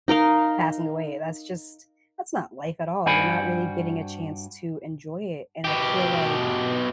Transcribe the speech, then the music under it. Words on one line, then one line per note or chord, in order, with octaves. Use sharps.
passing away. That's just that's not life at all, you're not really getting a chance to enjoy it, and I feel like
D#4 A#4 D#5 F5
G2 F#4 C5 D5 G#5 B5
B2 G4